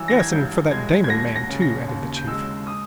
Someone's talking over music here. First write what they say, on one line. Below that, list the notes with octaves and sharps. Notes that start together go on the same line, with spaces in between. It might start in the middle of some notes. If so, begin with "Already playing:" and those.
"Yes, and for that Damon man, too," added the chief.
Already playing: G2 E3 E6
A#6
G#6
G2 G6
G#3 G#6
G#6
D#2 A#6
A#6
C#3
A#6
D#2
G6
G#3 E6
D#6